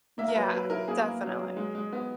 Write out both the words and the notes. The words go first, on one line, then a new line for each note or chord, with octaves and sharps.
Yeah, definitely.
A#3 E5
A#4
F#3 B4
F#3 B4
E4 A#4
A#3 G#4
A#3
F#3
F#3
G#3
G#3
B3